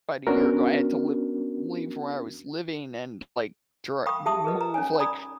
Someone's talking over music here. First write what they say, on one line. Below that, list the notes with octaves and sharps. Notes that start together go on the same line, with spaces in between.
about a year ago, I had to live leave where I was living and, like, tr m move like,
B3 C#4 D4 F#4 A#4
F5 G5 B5 C#6 D#6
G4 G#4 E5 A5 D#6
G#4 A#4 B4 D#5
A#5
C#4 D#4 C#5 G#5
D5 A#5 B5 D#6